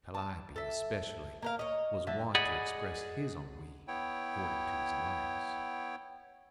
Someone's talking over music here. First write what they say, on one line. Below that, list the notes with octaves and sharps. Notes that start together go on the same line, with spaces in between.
Calliope, especially, was wont to express his ennui according to his lights.
A5
A4 E5
A#3 A#4 F5
C#5 D#5
D3 A3 E5 A5
G#4 D5 D#5 F#5 B5
B3 E4 C#5 G5